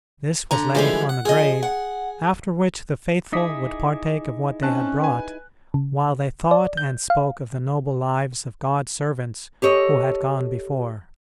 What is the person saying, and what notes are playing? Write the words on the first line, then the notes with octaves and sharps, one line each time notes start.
This was laid on the grave, after which the faithful would partake of what they had brought, while they thought and spoke of the noble lives of God's servants who had gone before.
D3 A#5
D3 E3 F3 G3 G#3 G#4
F#5
F3 G#4 D#5
F#5
D#4 E4 G#4 D6 D#6 B6
C4 C#4 A5 F#6
B4 G#5
C#3
D5
G6
F5
G4 A4 C#5 D#5